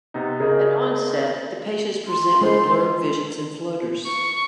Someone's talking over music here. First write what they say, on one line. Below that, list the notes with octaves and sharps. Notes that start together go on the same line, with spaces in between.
At onset the patients present with blurred vision and floaters.
C3 B3 D#4
C#3 G#4 A#4 D#5
C6
G#3 C5
C#6